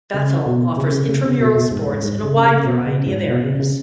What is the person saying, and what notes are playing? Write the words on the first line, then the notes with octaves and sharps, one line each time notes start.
Bethel offers Intramural sports in a wide variety of areas.
C#3
B2
C#3
C#3
C#3
C#3
B2
B2
G#2
G#2
G#2
C#3
C#3
B2
C#3
G#2
B2
C#3
C#3